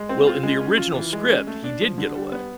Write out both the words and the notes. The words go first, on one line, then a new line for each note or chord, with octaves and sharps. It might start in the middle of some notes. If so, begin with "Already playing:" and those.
Well, in the original script, he did get away,
Already playing: G#3
C4
F4
G#3
C#4
F4
E3
G#3
C#4
A3
D4
F3
D3
G3
B3